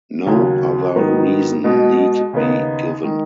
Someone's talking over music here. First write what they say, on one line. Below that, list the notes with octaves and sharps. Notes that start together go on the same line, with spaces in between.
No other reason need be given.
D#2 C#3 F#3 C#4
G#2 D#3 F#3 B3
B2 G#3 B3 F#4
D#2 C#3 B3 D#4
D#3 G#3